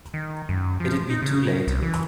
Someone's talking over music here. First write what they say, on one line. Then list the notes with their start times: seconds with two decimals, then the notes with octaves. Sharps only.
It'd be too late.
0.14 D#3
0.49 F#2
0.80 F3
1.10 D#4
1.22 C#3
1.67 C2
1.82 E3